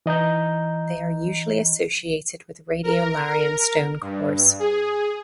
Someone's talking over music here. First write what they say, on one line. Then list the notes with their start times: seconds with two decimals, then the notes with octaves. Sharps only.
They are usually associated with radiolarian stone cores.
0.06 E3 D#5 A#5 G6
2.83 A#4
3.27 A#4
4.01 G2
4.59 G#4